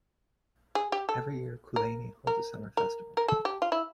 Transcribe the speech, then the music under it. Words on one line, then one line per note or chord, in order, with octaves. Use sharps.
Every year Coolaney holds a summer festival.
G#4
G4
A4
A#4
A#4
A#4
A#4
A4
G4
F4
E4